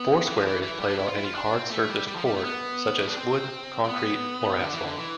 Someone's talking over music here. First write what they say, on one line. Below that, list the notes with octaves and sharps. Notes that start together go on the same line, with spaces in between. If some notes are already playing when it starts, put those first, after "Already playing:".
Four square is played on any hard-surfaced court, such as wood, concrete or asphalt.
Already playing: B3
E3
F3
E3
E3
G3
D4
E4
F4
E4
F4
D4
C4
A3
G3
G3
F3
G3
A3
B3
E4
D4
C4
C4
B3
D3
E3
D3
E3